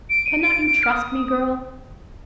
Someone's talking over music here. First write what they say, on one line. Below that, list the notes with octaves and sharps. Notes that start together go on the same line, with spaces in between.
Cannot you trust me, girl?
D7
D#7
D7
D7
F6
D#6